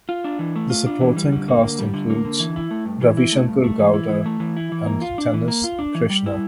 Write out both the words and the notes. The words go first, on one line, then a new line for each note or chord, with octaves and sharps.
The supporting cast includes Ravishankar Gowda and Tennis Krishna.
F4
D4
E3
A3
F4
D4
E3
G3
D3
A#3
D3
G3
D3
A#3
D3
E3
E4
A3
G2
E3
E4
A3
G2
A3
E3
E4
E3
A3
E3
E4
E3
A#3
F4
D4
E3
A#3
F4
D4
E3
G3
E4